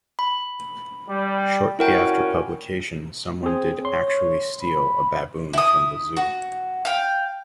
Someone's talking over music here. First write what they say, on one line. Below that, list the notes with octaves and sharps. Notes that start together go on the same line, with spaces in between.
Shortly after publication someone did actually steal a baboon from the Zoo.
B5
G3
A#2 C#4 E4 F#4 A#4 G5
C4 G#4 C5
C#5 C6
B5
E4 D#6
F#4
F5 G5